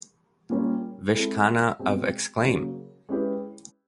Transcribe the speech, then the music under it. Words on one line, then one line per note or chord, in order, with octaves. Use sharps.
Vish Khanna of Exclaim!
A#2 G3 A#3 C#4
G#3 C4 E4 A4
B2 G#3 C4
C#3 F#3 A#3
G#3 C#4 E4 G4 B4